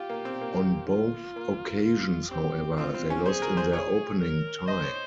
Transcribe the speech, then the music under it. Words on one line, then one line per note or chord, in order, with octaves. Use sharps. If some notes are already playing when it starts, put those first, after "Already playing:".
On both occasions, however, they lost in their opening tie.
Already playing: F4 G4
A#3
C4
A#3
F4
A#3
F4
C4 G4
C4 F4
C4
C#4
G#4 C5
A#4
C5
G#4 C#5
A#4
C5 D#5
C#5